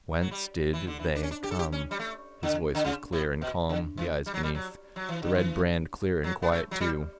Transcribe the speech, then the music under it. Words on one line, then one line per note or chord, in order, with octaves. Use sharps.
"Whence did--They--come?" His voice was clear and calm, the eyes beneath the red brand clear and quiet, too.
F#3
G3
E3
D3
E3
D4
C#4
D4
G4
A4
G4
C#4
G3
A3
D3
D3
C#3
A2
B2
D3
E3
G3
F#3
G3
F#3
F#3
E3
D3
E3
F#3
B3
A3
F#3
G3